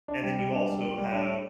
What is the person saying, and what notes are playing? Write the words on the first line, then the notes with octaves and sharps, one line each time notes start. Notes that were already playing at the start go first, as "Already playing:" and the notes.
And then you also have
D4
G3
G3
D4
G3
G3
G3
D4
D4